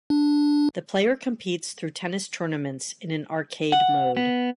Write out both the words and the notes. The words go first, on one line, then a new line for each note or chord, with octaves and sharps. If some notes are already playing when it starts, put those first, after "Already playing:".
The player competes through tennis tournaments in an arcade mode.
D4
F#5
B3